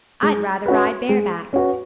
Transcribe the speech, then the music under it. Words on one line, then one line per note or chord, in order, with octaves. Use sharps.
I'd rather ride bareback.
G#3
C#4 F#4 B4
G#3
C#4 F#4 B4